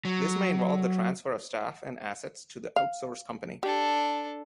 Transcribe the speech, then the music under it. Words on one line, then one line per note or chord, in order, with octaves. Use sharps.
This may involve the transfer of staff and assets to the outsource company.
F#3
F5
D4 G4 A4